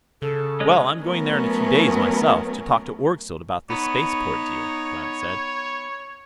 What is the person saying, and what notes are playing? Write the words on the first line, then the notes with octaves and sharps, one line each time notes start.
"Well, I'm going there in a few days, myself, to talk to Orgzild about this spaceport deal," Blount said.
C#3 A4
G#3 C#4 D#5
F#3 A3 B3 C#4 A#4 B4
B3 D#4 C#5